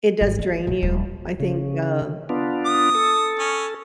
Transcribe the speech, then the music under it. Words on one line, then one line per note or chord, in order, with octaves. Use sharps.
It does drain you, I think, um,
G#1
B3
A#1
D#1
C#3
B3 D4 F4
D#6
A4
C#4